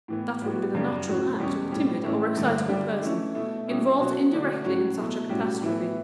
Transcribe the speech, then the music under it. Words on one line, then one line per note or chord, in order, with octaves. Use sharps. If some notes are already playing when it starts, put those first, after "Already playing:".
That would be the natural act of a timid or excitable person involved indirectly in such a catastrophe.
A2 E3 B3
A2 G3 B3 F#4
F#2 C#3 G3 D4
A2 F#3 C#4 F#4
E2 B2 G3 C#4
A2 G3 C#4
A2 E3 A3 C#4 E4
G2 D3 A3
D3 G3 D4
E3 A3 C#4 E4
B2 A3 E4
B2 G3 C#4 E4
B2 F#3 C#4 F#4
D3 A3 D4 F#4
A2 F#3 C#4 F#4
B2 F#3 A3 E4
A2 G3 C#4 F#4
A2 E3 B3 E4